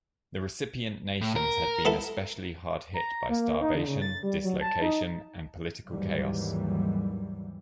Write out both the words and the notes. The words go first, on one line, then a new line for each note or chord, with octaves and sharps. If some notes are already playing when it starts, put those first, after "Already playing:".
The recipient nations had been especially hard hit by starvation, dislocation, and political chaos.
A2
A#4
B3 E4 A4
A#5
A#3
D#4
D3
C#3
A6
G3
F#3
A5
D#4
D#2 G#2 E3 F#3 G3